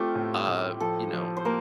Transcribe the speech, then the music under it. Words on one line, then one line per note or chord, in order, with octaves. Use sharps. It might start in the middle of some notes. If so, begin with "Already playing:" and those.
uh, you know,
Already playing: A3 C4 F4 G4
A2
A2
F3 A4
F3
C5
A#3 A#4